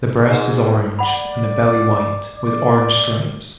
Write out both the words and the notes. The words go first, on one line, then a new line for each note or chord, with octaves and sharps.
The breast is orange, and the belly white with orange stripes.
G#2
D5 F#5 B5
D5